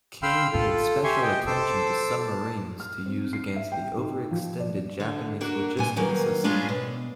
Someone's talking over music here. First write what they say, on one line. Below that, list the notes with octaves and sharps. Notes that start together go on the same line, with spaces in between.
King paid special attention to submarines to use against the overextended Japanese logistics system.
F5 G5 B5 C6 E6 F6
F4 A4
G4 E5 G#5 C6 C#6
G4 D#5 G5
A4 C5 A5 D6 E6
A5
F6
C4
C7
E5
G5
D#4
F3
D5
D3
A#3 D4 F#4 A#4
E2 A#2 G#5
D#3 F#3 A#3 B4
G3 G#3 C#4 D4 F4 G#4
B2